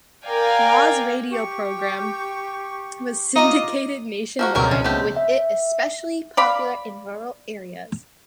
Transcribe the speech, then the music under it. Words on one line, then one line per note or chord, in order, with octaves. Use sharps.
Laws' radio program was syndicated nationwide, with it especially popular in rural areas.
A#4 D5 F5 G5 G#5
G4 C#6
D#4 F4 D#5 D6
F3 A#3 F#4
C#2 B2 G3 C4 A#4 C#5
C#2 C#4
A3 B3 C4 G4
E5
D5 F5 B5